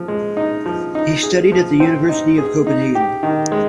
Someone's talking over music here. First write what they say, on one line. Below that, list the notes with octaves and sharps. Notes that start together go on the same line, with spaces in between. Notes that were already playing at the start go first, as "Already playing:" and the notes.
He studied at the University of Copenhagen.
Already playing: F3
G#3
D#4
F3
D#4
G#4
F3
C4
D#4
G#4
D#4
G4
D#3
G#3